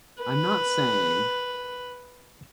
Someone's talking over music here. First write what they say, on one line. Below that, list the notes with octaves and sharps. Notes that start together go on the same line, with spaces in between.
I’m not saying...
B4